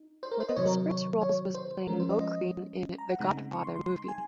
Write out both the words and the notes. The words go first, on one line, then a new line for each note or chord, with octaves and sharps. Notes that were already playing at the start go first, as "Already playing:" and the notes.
One of his first roles was playing Moe Greene in "The Godfather" movie.
Already playing: D#4
C5
A#4
C5
D#5
C3 D#3 F#3 C#5
A#4
C#5
C#5
C5
F3 G#3 C#4 A#4
C5
D#5
D#5
A#5
F#5
C#3 G#3 C4 D#4 A#5
C#6
C6
C6
C6
C6
G#5